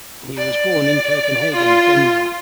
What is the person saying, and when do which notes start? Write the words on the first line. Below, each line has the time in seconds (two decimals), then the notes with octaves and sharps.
He was born in Copenhagen, Denmark.
0.37 D5
1.54 F4